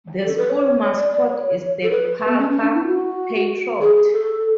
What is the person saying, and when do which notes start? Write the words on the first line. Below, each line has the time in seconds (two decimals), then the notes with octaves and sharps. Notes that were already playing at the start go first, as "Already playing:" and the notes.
The school mascot is the Parker Patriot.
0.24 A4
0.37 B4
0.50 C#5
0.97 D5
1.13 D5
1.28 C#5
1.83 A4
1.91 B4
2.28 B3
2.38 C#4
2.51 C#4
2.62 D4
2.75 E4
2.87 F#4
3.81 G#4
3.97 G#4
4.12 A4